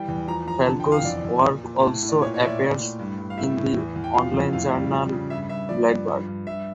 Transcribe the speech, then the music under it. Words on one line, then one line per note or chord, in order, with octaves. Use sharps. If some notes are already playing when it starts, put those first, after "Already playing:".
Falco's work also appears in the online journal "Blackbird".
Already playing: E3 G3 G5
E2
F3 A#5
F3 A#5
D3 A5
G5
E2
F5
F2 D5
F2
A#2
A#2
A2 A5
A2
D5
A#2 C#5
C#5
A#2 E5
D5
A2
A2
G2
G2
F5
A2 E5
A2
E2
E2
G5
F3 F5
F2
A2 F5
G3
F3
C#3
G2 E5
G2 E5
F3 D5
G2
G2
G2
G2 E5